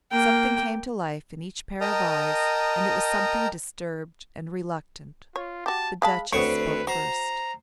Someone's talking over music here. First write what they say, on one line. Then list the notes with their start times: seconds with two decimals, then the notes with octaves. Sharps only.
Something came to life in each pair of eyes and it was something disturbed and reluctant. The Duchess spoke first.
0.12 A#3 G5
1.81 A#4 D#5 G5 A5 A#5 D#6
5.36 F4 C#5
5.66 F#4 G4 A5
6.02 G#3 F5 A5 B5
6.32 D2 B3 C4 B4 C#5 C#6
6.87 F#4 C5 A#5